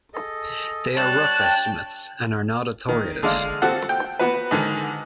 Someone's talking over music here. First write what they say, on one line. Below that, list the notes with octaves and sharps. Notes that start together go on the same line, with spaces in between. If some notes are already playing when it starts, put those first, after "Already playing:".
They are rough estimates and are not authoritative.
G#4 A4 D#5
G3 D4 C#5 A5 F#6 E7
G5
D#3
D3 G#3 D5 F5
C4 F#4 G4 A4 F#5 F#6
G5
B3 F#4 B4
G#2 D3 D#3